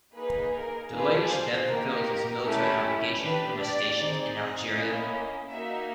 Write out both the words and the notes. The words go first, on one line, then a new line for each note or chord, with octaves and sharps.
Delage then fulfilled his military obligation and was stationed in Algeria.
A#3 D#4 G#4 B4
A#4
D4 F4 G#4 B4
C5
A#3 D#4 G4 A#4
A3 C#4 E4 G4
D4 G4 B4
D5
C4 D#4 G#4
D#5
A#3 C#4 E4 D#5
A#3 D#4 F#4 E5